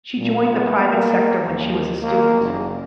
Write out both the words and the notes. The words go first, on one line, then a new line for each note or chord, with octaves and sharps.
She joined the private sector when she was a student.
A#2
B3
A#3
D#2
A#3
F#1